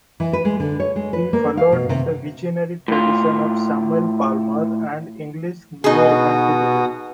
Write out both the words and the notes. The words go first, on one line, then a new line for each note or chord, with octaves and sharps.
He followed in the visionary tradition of Samuel Palmer and English neo-romanticism.
E3
B4
G#3
D3
C#5
G#3
B4
A#3
F5
B2
C3
A2 F4
B2 B3 D#4 F#4 G#4 D#6